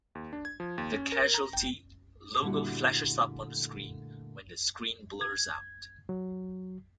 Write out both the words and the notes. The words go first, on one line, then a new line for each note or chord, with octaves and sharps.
The "Casualty" logo flashes up on the screen when the screen blurs out.
D#2
D4
G#6
F3
D#2
C#4
A#4
A#5
G5
A#2 D3 G3 A3 E4 F#4
G#6
F#3